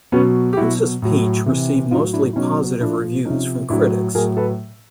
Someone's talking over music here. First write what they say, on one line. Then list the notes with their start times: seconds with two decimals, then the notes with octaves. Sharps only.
Princess Peach received mostly positive reviews from critics.
0.12 B2 F#3 B3 C#4
0.53 G4
0.57 B2 F#3 E4 F#4
1.02 A2 F#3
1.46 C3 E3
1.91 A2 F#3 D#4 F4
2.13 D4 E4
2.33 E4
2.36 B2 F#3 C#4 D#4
2.80 A#2 F3 D4 E4
3.25 C3 F3 C#4 D#4
3.70 A2 F#3 D4 E4
4.15 A2 F#3 G#4 A#4
4.37 A4 B4